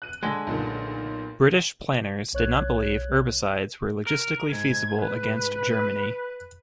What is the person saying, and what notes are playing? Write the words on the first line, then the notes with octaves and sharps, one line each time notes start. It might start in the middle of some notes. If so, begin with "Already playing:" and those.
British planners did not believe herbicides were logistically feasible against Germany.
F#6 D#7
D3 G#3
B1 A#2
B1 C#5 F#6 G#6
A#4
G#2 G#6
B4